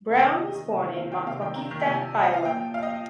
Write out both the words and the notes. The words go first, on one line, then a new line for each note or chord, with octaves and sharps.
Brown was born in Maquoketa, Iowa.
C3
D#3
C3 D#5
D#3
C3
D#3
C3 F5
D#3 G5
C3 F5
D#3 G5
C3 A#5
D#3
G5
C3 G#5
F3
C3 D5
D#5
F3 F5
A#2 G5
F3
A#2 F5
D#5
F3 F5